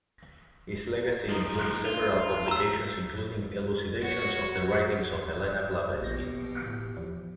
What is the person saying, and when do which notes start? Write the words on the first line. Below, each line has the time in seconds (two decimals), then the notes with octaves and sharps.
His legacy includes several publications, including elucidations of the writings of Helena Blavatsky.
1.29 D#2 F3 D#4
1.85 G2 F4
2.48 A#5 E6
4.02 F#4 C#5
6.01 A#1 F2 B2 G4 A#6
6.64 A2
6.97 E2 F3